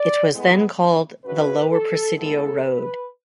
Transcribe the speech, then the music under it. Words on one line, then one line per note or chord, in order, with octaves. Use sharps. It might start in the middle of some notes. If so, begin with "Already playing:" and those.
It was then called the Lower Presidio Road.
Already playing: D5
A2 G#3 B3
F#2 C#3 F#3 B4
A4
A2 G#3 B3 A4
B4